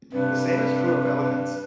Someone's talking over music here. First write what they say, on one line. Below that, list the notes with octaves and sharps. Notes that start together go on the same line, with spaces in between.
The same is true of elephants.
G2 C3 B4